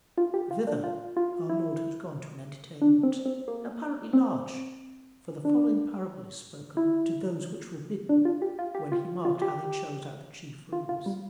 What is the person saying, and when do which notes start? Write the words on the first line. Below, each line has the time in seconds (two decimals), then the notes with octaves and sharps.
Thither our Lord had gone to an entertainment, apparently large, for the following parable is spoken "to those which were bidden, when he marked how they chose out the chief rooms."
0.18 F4
0.34 G4
0.51 F4
0.67 D4
0.84 F4
1.17 F4
1.50 E4
2.82 D4
3.03 C4
3.25 C4
3.48 A#3
4.13 C4
5.45 D4
6.77 E4
8.09 D4
8.25 F4
8.42 G4
8.59 F4
8.75 G4
8.92 F4
9.25 F4
9.42 G4
10.73 F4
10.89 F4
11.06 G3